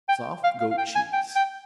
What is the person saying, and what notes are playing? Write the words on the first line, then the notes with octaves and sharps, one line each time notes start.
Soft goat cheese.
G5
F5
F5
F5
G5
G#5
G5
G5